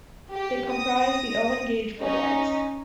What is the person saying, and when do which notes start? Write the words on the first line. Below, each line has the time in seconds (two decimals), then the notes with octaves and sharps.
They comprise the Owen-Gage Bulldogs.
0.31 G4
0.71 D#6 A#6
1.99 C#4 D#4